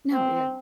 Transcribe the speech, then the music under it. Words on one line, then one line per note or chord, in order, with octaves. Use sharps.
No, yeah.
C4